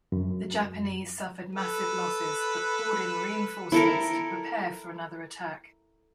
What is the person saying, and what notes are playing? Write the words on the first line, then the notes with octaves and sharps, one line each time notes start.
The Japanese suffered massive losses, but poured in reinforcements to prepare for another attack.
F#2
A4 B4
E4 A4 A#4